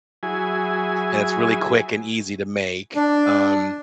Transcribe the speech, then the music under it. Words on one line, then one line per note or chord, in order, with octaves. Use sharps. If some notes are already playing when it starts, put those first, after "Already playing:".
and it's really quick and easy to make. Um,
F#3 E4 G#4 G#5
D4